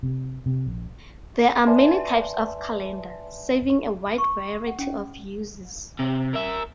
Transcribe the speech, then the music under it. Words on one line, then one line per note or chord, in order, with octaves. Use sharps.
There are many types of calendar, serving a wide variety of uses.
C3
C3
A#1
B4 D5 E5 G#5 A5 C6
C#6
F#5
C#4
C3
A#4 E5